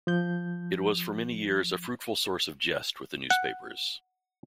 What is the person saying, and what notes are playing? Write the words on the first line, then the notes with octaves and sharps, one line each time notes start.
It was for many years a fruitful source of jest with the newspapers.
F3 G6
F#5